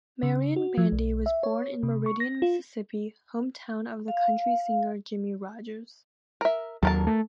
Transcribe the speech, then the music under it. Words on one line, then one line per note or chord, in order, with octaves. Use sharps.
Marion Bandy was born in Meridian, Mississippi, hometown of the country singer Jimmie Rodgers.
C#3
F#4
F3
B1
E5
C#5
C3
C#6
A#6
F4
F5
A#4 E5
D#2 F#3 A4 A#4 A5
A3